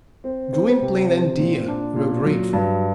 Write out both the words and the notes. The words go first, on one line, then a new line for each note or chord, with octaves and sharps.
Gwynplaine and Dea were grateful.
C4
C4
C3
C4
A#2
D4
A#2
F#3
G2